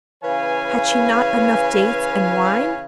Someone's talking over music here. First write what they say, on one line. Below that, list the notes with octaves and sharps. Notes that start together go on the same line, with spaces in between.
Had she not enough dates and wine?'
C#3 E3 B4 C#5 F5 G#5